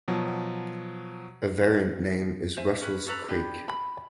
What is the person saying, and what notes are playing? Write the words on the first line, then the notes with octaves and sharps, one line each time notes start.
A variant name is "Russells Creek".
B2 F3 F#3
C5 E5 G#5
C#4 G#4 B4
C#4 A4 B4 A#5
D4 G4 G#4 B5
B5